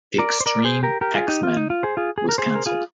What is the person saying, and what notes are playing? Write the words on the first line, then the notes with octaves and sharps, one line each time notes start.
"X-Treme X-Men" was cancelled.
A#4 D5
C5
A#4 D5
G#4 C5
G4 A#4
G4 A#4
F4 G#4
D#4 G4
F4
D#4
F4
G#4 C5
F4 G#4
G#4
A#4
G#4 C5
A#4
F4 G#4